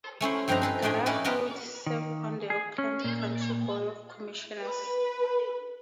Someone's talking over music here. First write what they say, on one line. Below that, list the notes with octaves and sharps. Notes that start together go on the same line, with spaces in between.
Garfield served on the Oakland County Board of Commissioners.
A3 C#4 E4 C5
G2 F3 C4 D#4 B4 A#5
G#4 A4 B4
A2 D4 G#4 G5 G#5
C#4 D#4 E4 A#4 B4
B3 F4 A#4 B4 G5
D#3
G#4
C#4
A#2
B4